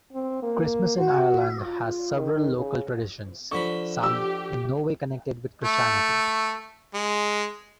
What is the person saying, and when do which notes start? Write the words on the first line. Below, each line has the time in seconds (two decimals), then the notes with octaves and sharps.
Christmas in Ireland has several local traditions, some in no way connected with Christianity.
0.13 C4
0.43 A#3
0.98 F#4
1.62 F4
2.15 D#3
2.57 C#3
3.51 D3 F3 B5 C#6
4.03 G4 E6
5.64 A3
6.94 G#3